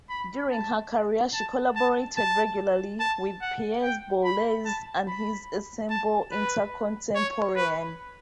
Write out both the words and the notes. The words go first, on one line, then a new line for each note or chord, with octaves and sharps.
During her career she collaborated regularly with Pierre Boulez and his Ensemble Intercontemporain.
B5
A5
A5
A5
A5
A5
F#5
G5
B5
A5
B5
A5
B4
C#5
B4